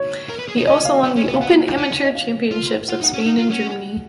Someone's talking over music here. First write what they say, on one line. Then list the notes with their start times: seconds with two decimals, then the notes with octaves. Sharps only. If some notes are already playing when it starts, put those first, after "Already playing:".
He also won the open amateur championships of Spain and Germany.
Already playing: C#5
0.29 A#4
0.39 B4
0.48 G#4
0.57 D#4
0.67 C#4 D#5
0.85 F5
1.03 B3
1.16 C#4
1.28 B3
1.36 F5
1.40 B3 F#5
1.78 C#4
2.04 D#5
2.15 F5
2.51 F4
2.88 F4 F#5
3.01 D#4
3.04 F#5
3.14 C#4
3.26 D#4
3.38 F4
3.51 C#4